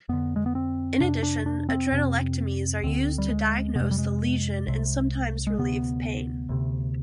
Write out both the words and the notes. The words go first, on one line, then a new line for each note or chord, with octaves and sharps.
In addition, adrenalectomies are used to diagnose the lesion and sometimes relieve pain.
F2 D3 B3
G#3
B3
C4
F2 C3 D4
D4
D4
C4
F2 C3
D2 D3 C4
G3
G#3
F2 C3 G#3 B3
G3
G#3
C2 C3
G#3
D2 C3 B3
D2 C3